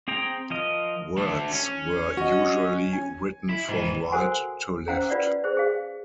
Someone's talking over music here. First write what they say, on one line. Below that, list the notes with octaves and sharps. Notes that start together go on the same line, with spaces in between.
Words were usually written from right to left.
C4 G#4 G5 A#5
F3 A#4 D#5
D3 A3
C#4
F#4 D#5
G#5
E4
G#2 E3
F#4 A4 A#4 C5 F#5 G#5
C#4 C5 F5 F#5 A#5
F4 B4 D5 F#5
G#4 C5
G#4 F5